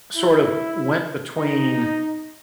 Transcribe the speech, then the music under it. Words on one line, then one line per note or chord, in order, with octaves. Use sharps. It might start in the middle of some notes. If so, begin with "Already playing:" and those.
sort of went between,
E4
D#4